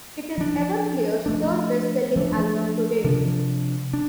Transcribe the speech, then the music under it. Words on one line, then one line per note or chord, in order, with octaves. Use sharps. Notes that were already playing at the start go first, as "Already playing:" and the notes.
It is Everclear's third-best-selling album to date.
F3 D4
F3 A3 D4
F3 A3 D4
C3 F3 D4
D4